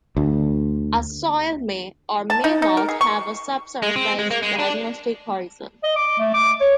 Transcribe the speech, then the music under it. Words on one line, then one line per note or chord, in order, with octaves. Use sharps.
A soil may or may not have a subsurface diagnostic horizon.
D2
A5
D#4
D#4
A#4
G#4
C#6
G#3
C4
G#3
A#3
G#3
D4
D#5
D6
A3
D6
C#5